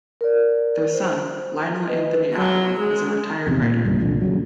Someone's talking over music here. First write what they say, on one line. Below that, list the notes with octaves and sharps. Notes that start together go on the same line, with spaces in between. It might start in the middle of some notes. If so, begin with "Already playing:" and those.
Their son, Lionel Anthony Atwill, is a retired writer.
A#4 D5
C5
B4 D#5
F#3
G#3
E2 C3 D#3
A#2
C2 G2 D3
C2 F2 A#2 D3
D#1 C#3 F#3